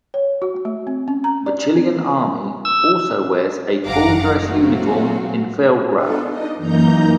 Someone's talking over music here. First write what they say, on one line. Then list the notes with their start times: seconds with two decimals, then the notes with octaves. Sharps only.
The Chilean Army also wears a full dress uniform in feldgrau.
0.14 C#5
0.42 F#4
0.65 A3
0.87 C4
1.08 C#4
1.24 A#5
1.46 D5
1.76 C4
2.65 E6
3.85 G1 F#2 F5 F#5 A#5 D6
4.43 F#3 A3 A#3 C4 F4 F#4
5.95 B3 D4 F4 A4
6.25 D4 D#4 D#5
6.56 F#2 E3 A#3 D#4 A#5 G6